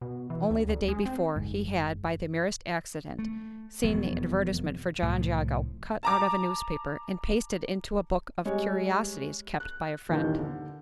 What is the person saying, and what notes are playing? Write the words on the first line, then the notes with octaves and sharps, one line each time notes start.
Only the day before, he had, by the merest accident, seen the advertisement for John Jago cut out of a newspaper and pasted into a book of "curiosities" kept by a friend.
B2
E3
D2
D2
G#3
C4
F#1 G#2
A3
E1 F2 F#3 B3
C2 A2 F3
A5 A#5 D6
G3 G#3 C#5
F#6
D#1 D#2 D#3 E3 G6
D3